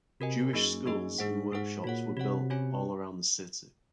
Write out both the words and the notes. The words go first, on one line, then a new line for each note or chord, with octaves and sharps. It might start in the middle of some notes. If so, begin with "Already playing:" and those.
Jewish schools and workshops were built all around the city.
C3 F#4 A#4 D#5 G#5
F#2 A#3 D#4 G#4 D#5
F#2 A#3 D#4 G#4 D#5
G#2 D#4 G#4 C5 F#5
G#2 D#4 G#4 C5 F#5
A#2 F#4 C#5 F#5
C3 F#4 C#5 F#5
C#4 F#4 C#5 G#5